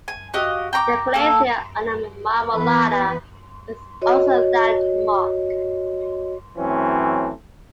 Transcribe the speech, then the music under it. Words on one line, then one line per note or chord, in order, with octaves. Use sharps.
The glacier on the Marmolada is also a landmark.
G#5
F#4 G4 D#5 F5
G5 A#5 C#6 D6
A#3 A4
E3 B3 B4
F#4 C#5 D#5
E3 F#3 A3 C4 C#4